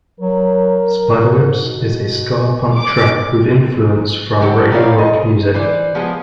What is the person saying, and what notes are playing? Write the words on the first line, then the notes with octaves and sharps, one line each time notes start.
"Spiderwebs" is a ska punk track with influence from reggae rock music.
F#3 A#4
G#2
B2
D6
D3 F#3 G4 A4
D#4 E4 G4 C#5 D5 F5
D#5
E3 C5 D5
F3 G#3 B3 G#4 A4